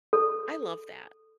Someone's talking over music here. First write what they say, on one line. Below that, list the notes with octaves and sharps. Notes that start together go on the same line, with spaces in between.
I love that
A4